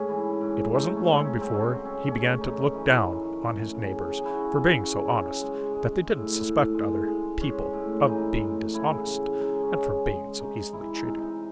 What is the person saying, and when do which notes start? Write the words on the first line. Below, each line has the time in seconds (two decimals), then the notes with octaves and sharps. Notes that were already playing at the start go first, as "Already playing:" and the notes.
It wasn't long before he began to look down on his neighbors for being so honest that they didn't suspect other people of being dishonest, and for being so easily cheated.
Already playing: G#2 A3 C#4 G#4
0.09 E3
0.41 G#2
0.75 A3 D#4
0.96 C#4
1.08 C#3 C4
1.18 C#4
1.41 F#3 C4
1.54 C#4
1.64 C4
1.75 C#3
1.85 C#4
2.07 A3 C#4
2.41 F#2 D#4
2.74 E3 D#4
3.08 F#2
3.41 A3
3.74 C#3
4.08 F#3 G#4
4.25 E4
4.30 F#4
4.41 C#3
4.52 G#4
4.74 C#3
5.08 C#3
5.41 G#3
5.74 G#3
6.08 A2
6.41 A2
6.74 G#3
7.07 G#3
7.41 G#3 C#4
7.73 A2
8.07 E3 D#4
8.40 A2
8.73 C#3 E4
9.07 C#3
9.40 G#3 D#4
9.63 C#4
9.73 G#3
10.07 G#3
10.40 C3 D#4
10.73 E3 E4
10.96 D#4
11.07 C3
11.18 D#4